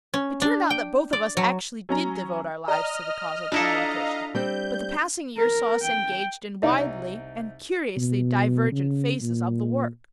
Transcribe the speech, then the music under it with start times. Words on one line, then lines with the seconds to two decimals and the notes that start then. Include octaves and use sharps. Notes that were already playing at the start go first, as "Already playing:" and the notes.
It turned out that both of us actually did devote our lives to the cause of communication; but the passing years saw us engaged in widely and curiously divergent phases of the work.
0.14 C#4
0.42 D4
0.70 G5
1.13 D5
1.37 F#3
1.89 F#3 C#4 A#5
2.68 D5 D#5 A#5 F6
3.52 D4 E4 F4 A4 D#5 F5 A#5
4.35 G3 C4 G6
5.37 A#4
5.82 G5
6.62 C2 D#4 D5
7.97 B2
8.72 C#3
9.22 A#2